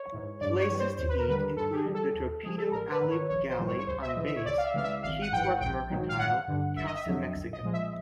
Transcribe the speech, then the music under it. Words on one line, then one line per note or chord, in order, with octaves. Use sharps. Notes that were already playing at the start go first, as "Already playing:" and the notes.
Places to eat include the Torpedo Alley Galley on base, Keyport Mercantile, Casa Mexico.
Already playing: C#5
G#2 E3
G2 D5
C#5
E3 G3
C5
D#2 C5
B4
A#4
D3 G3 B4
G2 A4
G4
G#4
E3 G3
A4
D#2
C#3 F3 G#3 G#4
A4
A1 A#4
A#4
B4
G#2 D#3
C#5
A#1 C#5
C5
G#2 E3 G3
C#5
C#5
C#2 C5
E5
D#5
C#3 E3
E5
C#5
C#2 D5
F5
E5
C#3 E3 G#3 F5
E5
G#1 F5
F#5
G#2 E3 G5
F#5
A#1 G5
G#2 D#3 F#3
F5
G1 F#5
G2 D3
G1 E5
D#5
E5
F2 D3 F#3
B1
D#5
A#2 F3 G#3
E5